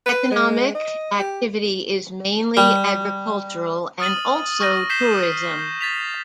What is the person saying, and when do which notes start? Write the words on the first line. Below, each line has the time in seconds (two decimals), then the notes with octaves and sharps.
Economic activity is mainly agricultural and also tourism.
0.06 B4
0.31 G#3
0.74 D#5
1.19 G4
2.57 G3
4.00 D#6 F6 A6 D#7 F#7
4.60 C#6 F6 A#6 D#7
4.89 G6 B6 C7 E7 G7
5.59 G6
5.81 A6 B6 F7